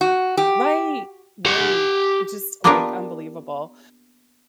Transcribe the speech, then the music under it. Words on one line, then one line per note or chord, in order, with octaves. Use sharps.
Right. Right, it just, like, unbelievable.
F#4
G4
G4 F#5
A#3 B3 D4 F4 G4 A#4